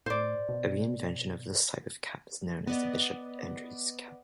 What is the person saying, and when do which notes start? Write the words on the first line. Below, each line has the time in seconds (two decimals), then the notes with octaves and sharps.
A reinvention of this type of cap is known as the Bishop Andrewes cap.
0.06 A2 C5 D5
0.49 B2
2.67 B3 D5 D#5